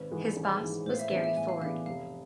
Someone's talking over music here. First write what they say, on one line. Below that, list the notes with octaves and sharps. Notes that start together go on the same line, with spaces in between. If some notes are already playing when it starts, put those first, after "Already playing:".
His boss was Gary Ford.
Already playing: G#1 B4
G#2 E3 G#3
G#1
G#2 E3 G#3
A2 C5
F5
E5
E3 B3 D4 G#4 E5
E5
A2 G#5
F5
E3 B3 D4 G#4 F5
F1 F5